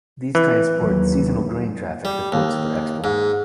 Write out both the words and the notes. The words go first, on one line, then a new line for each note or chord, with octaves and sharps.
These transport seasonal grain traffic to ports for export.
E3
D#2 F#3
G3
D#2
G#2